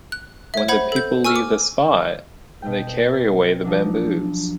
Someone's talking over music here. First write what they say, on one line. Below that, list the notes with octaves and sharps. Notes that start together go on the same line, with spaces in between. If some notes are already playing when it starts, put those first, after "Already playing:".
When the people leave the spot, they carry away the the bamboos.
F#6
C#5 E5
C5 F#5 B5 G#6
A4 G6
G#5 C#6 E6 F6
D6
B2 G5
F3 F#3 D4